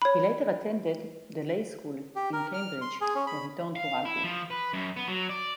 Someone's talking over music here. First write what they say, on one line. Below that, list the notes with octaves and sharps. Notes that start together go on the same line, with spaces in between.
He later attended The Leys School in Cambridge, where he turned to rugby.
C#5 B5
G4
A#4
F6
C6
G#4
C#4
B5
F5
E4
F3
B4
F#2
B3
F#3
D5